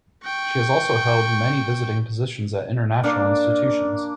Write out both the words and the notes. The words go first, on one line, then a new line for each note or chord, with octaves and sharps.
She has also held many visiting positions at international institutions.
G5 C#6
A#3 D4